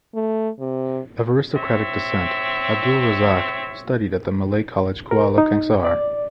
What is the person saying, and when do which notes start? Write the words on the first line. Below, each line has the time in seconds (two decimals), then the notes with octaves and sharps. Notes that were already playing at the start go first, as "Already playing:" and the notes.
Of aristocratic descent, Abdul Razak studied at the Malay College Kuala Kangsar.
0.15 A3
0.60 C3
1.54 C4 C#5 E5
5.11 A#4
5.38 D#4
5.85 D5